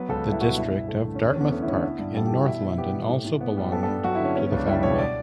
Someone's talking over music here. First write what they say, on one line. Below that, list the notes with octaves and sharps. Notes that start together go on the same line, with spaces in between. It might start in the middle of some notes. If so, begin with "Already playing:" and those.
The district of Dartmouth Park in north London also belonged to the family.
Already playing: F#3 B3 B4
C#2 A4
G3
E4
B2 F#4
G2 E4
G2
A3
D3
C#4
E2 D4
C#4
E2 B3
A3 C#4
E4
D3 C#4
D4
B3 E4
G2
G3 A4
E3 G4
F#4
B2 E4
B2
B3 G4
G3
A2
A2
B3
G3
B3 A4
A4
G2
F#3 F#4
E4
D3 C#4
B3 C#4
C#4
C#2 D4
G3 E4
B2 C#5
D5